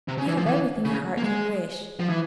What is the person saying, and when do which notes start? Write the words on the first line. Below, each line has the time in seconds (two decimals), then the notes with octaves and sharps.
You have everything a heart can wish.
0.08 C3
0.18 C#3
0.27 E3
0.37 F3
0.46 E3
0.85 C#3
1.18 A#3
1.24 G#3
2.00 F3
2.09 E3